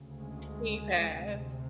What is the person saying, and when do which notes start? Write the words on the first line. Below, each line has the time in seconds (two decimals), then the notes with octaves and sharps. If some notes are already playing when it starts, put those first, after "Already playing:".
he passed.
Already playing: D2 C#3
0.20 G#3
1.05 D2 C3